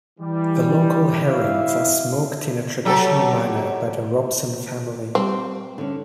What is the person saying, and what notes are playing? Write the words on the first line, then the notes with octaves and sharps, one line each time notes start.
The local herrings are smoked in a traditional manner by the Robson family.
E3 G3
C3 E4 E5 F5
F#3 G4 A4
G3 C4 C5
D3 C#4